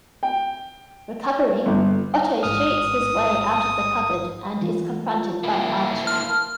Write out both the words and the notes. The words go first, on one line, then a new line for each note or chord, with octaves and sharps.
Recovering, Otto shoots his way out of the cupboard and is confronted by Archie.
G5
G1
A1 G#2 D#6 F6
E3 F4
A#3 E4
A5 C6 F6